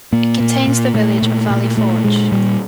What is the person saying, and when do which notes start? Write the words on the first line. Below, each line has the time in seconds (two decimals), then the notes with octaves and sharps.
It contains the village of Valley Forge.
0.13 A#2 A#3
0.40 A#2
0.68 A#2
0.94 A#2 A3
1.22 A#2
1.50 A#2
1.77 A#2 A3
2.04 A#2 G#3
2.32 A#2 G3